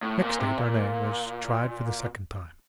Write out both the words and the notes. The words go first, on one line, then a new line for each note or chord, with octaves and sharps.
Next day Darnay was tried for the second time.
A2
A#2
C3
A#2